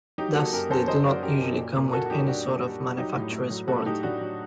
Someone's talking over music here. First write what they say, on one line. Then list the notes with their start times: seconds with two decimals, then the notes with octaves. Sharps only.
Thus, they do not usually come with any sort of manufacturer's warranty.
0.18 F#3 D#4 G4
0.35 A#3 F#4 A4
0.53 F#2 G4 A#4
0.70 F#2 A4 C5
0.88 F#2 C5 D#5
1.05 F#3 A#4 D5
1.22 F#2 G4 A#4
1.41 F#2
1.57 A#2
1.76 A#2
1.92 A#3 F#4 A4
2.06 F#4
2.10 G3 D#4 G4
2.27 A#3 D4 F#4
2.45 A#2
2.63 G3
2.80 G3
2.98 F#3 D#4 G4
3.15 A2
3.33 A3
3.50 F#3
3.68 A3 F#4 A4
3.85 A2 D#4 G4
4.03 A2 D4 F#4
4.21 F#3